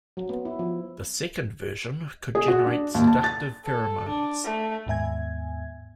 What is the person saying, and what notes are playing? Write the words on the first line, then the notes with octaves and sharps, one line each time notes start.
The second version could generate seductive pheromones.
F#3
B3
E4
F3
G#4
F#4
D4
D#2
A5
A6
A4
D4
A3
D#2 G#2 B3 E5 G#5 G#6